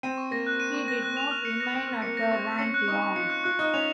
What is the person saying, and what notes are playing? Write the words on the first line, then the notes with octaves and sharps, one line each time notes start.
He did not remain at the rank long.
C4 D#7
C#6
A#3 A#6
F#6
D#7
C#6
A#6
F#6
F7
F6
C#7
A#6
C4 F7
F6
A#3 C#7
A#6
C4 C#6
C#6
C#4 C#7
F#6
D#4 C#6
C#6
F4 C#7
F#6
F4 F#6
D#4 F#6
C#4 F7